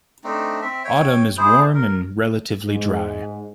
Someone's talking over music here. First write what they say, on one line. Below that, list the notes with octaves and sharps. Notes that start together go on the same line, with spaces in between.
Autumn is warm and relatively dry.
A3 C4 D4 D#4
C4 E5
C#5 G5
E4 G#4 C5
A#4
G#2